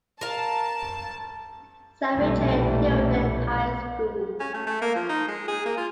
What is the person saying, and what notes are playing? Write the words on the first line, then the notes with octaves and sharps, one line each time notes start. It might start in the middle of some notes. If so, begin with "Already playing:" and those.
Samuel J. Tilden High School.
A#4 F5 A5
B1 F2 A#2 E3 G3 A3
C#4
A3
A3
A#3
F3
D#4
G#3
G#4
A#3
F4